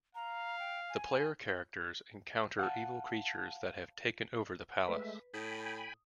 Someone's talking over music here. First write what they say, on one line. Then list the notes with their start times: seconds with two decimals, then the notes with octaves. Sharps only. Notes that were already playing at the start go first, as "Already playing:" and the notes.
The player characters encounter evil creatures that have taken over the palace.
0.15 F5 A#5
0.59 G5
0.89 G#5
2.59 F5 F#5 A5
4.88 G#3 A3 B4 E5
5.34 A2 G5 G#5 B5 D#6